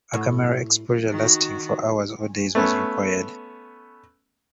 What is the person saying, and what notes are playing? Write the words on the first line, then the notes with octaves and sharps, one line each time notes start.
A camera exposure lasting for hours or days was required.
A2
D#3 F#4
A3 B3 C#4